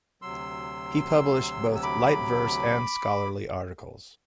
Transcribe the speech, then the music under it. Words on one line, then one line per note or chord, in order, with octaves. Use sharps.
He published both light verse and scholarly articles.
D2 C3 F#3 C6 E6
E6
B5 D6